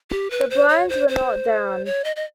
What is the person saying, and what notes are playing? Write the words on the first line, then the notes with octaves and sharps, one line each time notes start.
The blinds were not down.
G4
B4
C5
C#5
C5
C5
C#5
D#5
D#5